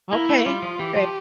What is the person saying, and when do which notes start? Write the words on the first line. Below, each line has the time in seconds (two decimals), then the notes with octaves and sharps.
Okay, okay.
0.12 A#3 E4
0.29 A3
0.46 G3 F4
0.62 F3
0.79 E3 G4
0.96 F3